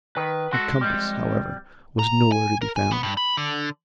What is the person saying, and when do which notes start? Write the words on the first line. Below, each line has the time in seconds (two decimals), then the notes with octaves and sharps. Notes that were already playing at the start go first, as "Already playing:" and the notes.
The compass, however, was nowhere to be found.
0.17 D#3 B4
0.53 G#3 F#4 A4 C6
0.81 F2 G3
1.99 A#5
2.32 G#5
2.61 A#4
2.76 G#5
2.91 B3
3.03 G2
3.17 B5
3.37 D3